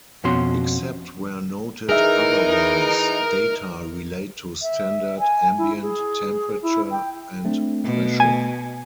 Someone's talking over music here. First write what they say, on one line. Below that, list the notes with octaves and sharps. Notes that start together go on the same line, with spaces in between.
Except where noted otherwise, data relate to standard ambient temperature and pressure.
F2 B2 C#4 F#4 C6
E3 D#4 G#4 A#4 E5
E5
G#5
E4
G#4
E4
G5
A3 C4 D4
B2 A3
G#5